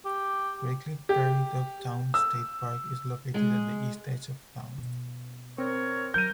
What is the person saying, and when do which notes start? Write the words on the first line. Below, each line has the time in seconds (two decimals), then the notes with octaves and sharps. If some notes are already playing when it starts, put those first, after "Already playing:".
Greycliff Prairie Dog Town State Park is located at the east edge of town.
0.05 G4
1.09 G4
2.14 E6
3.34 G#3 G#4
4.78 B2
5.58 C4 A#4 C#5
6.14 F#3 A#4 G6 D#7